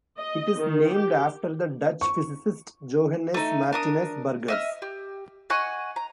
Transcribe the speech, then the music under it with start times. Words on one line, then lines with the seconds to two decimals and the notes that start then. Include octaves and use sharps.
It is named after the Dutch physicist Johannes Martinus Burgers.
0.17 D#5
0.58 D#3
0.93 G4
2.01 C#6
3.34 A3 D#4
3.72 D4 A#4 D#6
4.48 D#5 E5 F6
4.82 G4
5.50 D#5 F#5 G#5 C#6
5.96 A#5